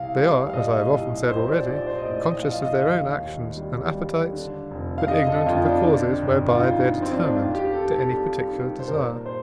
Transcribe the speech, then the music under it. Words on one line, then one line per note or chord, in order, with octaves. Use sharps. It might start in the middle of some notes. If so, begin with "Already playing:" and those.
They are, as I have often said already, conscious of their own actions and appetites, but ignorant of the causes whereby they are determined to any particular desire.
Already playing: C2 F5
G3
F5
A#2 D#5
C2
A#1 C5
D5
A#1 D5
C5
D#5
A2 D5
D#5
F3 F5
F5
D#5
D#2 F5
D#2
G3
G3
D3
F1
F5
D3 D#5
A4
F2 F4
D4
D3 D4
G1
F4
D3 D#4
F3 C4
D4
D#4
F2 F4
G4
D#3 A4
A4
G3
D#3
C5
A#2 A#4
C5